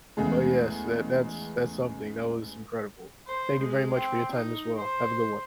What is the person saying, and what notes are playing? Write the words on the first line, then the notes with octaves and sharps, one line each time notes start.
Oh, yes. That that's that's something, that was incredible. Thank you very much for your time as well. Have a good one.
E2 A2 C#3 G#3
C5
G#3
C4
D#4
C5